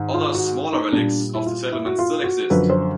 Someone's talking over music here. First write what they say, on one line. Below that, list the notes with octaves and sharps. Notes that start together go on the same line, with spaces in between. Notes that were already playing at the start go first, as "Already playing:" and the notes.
Other smaller relics of the settlement still exist.
Already playing: G#2 D#3
F4
F#4
D#4
A#2 G3 D4
E4
F4
E4
F#4
F4
F#4
F#2 D3 F3 B4
C5